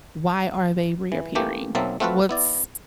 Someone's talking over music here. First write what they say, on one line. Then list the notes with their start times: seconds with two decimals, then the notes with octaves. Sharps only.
"Why are they reappearing? What's
1.12 E3
1.35 E3 A3 A#3 G4
1.75 B1 F#3 A#3 C4 E5 A5
2.00 A3 C4 F4 F#4 A4 B4
2.29 B3 E4 D5